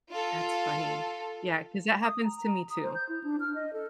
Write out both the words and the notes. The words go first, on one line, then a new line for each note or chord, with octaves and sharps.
That's funny. Yeah, 'cause that happens to me too
F4 A4
D#6
A#5
A#5
D#6
C5
G6
E4
D4
F6
D#5
A4